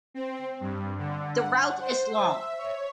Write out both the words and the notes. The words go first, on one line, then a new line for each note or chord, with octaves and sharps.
The route is long.
C4
G2
D3
F#5
C5
E5
C#5